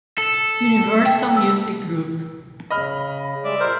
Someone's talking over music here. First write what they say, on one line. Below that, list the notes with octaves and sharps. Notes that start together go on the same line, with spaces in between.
Universal Music Group.
A4
G5
E6
C#3 D#5 B5 F6
G3 G#3 D5 E5
A#2 A#4 C5